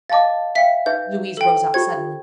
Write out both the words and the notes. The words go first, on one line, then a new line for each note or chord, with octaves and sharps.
Louise rose up suddenly.
D#5 F5 A5 D6 A6
E5 F5 G5 B6
D#4 B4 E5 G6
A4 G5
F4 G4 C5 G#6